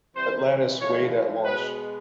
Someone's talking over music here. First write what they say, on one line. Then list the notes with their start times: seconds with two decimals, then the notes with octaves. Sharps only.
"Atlantis" weighed at launch.
0.15 C3 E3 G3 C5
0.80 A2 F3 G#3 C#5
1.44 B2 G#3 B4